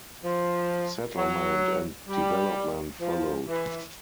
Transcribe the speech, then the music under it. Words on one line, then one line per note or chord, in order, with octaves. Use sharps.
Settlement and development followed.
F3
F#3
G3
F3
E3